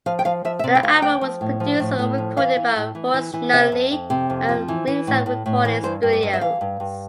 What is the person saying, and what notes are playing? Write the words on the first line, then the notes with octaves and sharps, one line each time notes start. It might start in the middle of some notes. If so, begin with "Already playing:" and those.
The album was produced and recorded by Royce Nunley at Ringside Recording Studios.
F3 F5
G5
F3 F5
F3 E5
E5
C3 D5
G5
D2 F5
D2 G5
F3
A2
F3
A2
A2
F3
E3 F5
E3
A2
E3
E3
E3
C3 E5
F2
F2
C3
F2
F3
E3
E3
A2
A2
A2
E3
G2 C5
G2
D5
G2
E5
E3 F5
G2
G2